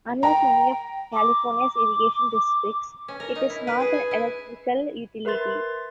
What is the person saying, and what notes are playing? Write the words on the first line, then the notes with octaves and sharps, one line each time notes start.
Unlike many of California's irrigation districts, it is not an electrical utility.
G5 A#5
D6
C#4
A#4
D#4
E4
B4
G#4
G#5
E4
A#4 B4 E5 C6 A6